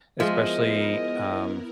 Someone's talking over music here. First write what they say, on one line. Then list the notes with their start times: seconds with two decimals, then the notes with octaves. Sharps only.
especially, um,
0.20 F3 G#3 B3 E4 G#4 A#4 D#5 E5